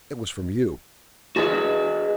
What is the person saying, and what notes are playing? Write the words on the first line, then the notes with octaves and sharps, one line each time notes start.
It was from you!
F#4 G#4 B4 D#5